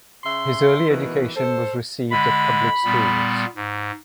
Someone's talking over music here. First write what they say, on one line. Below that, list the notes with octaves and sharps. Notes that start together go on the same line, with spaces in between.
His early education was received at public schools.
C#3 E5 C6
B2 D#3 E3
A4 C5
D3 G#3 B5
A#2 G3 B3
G#2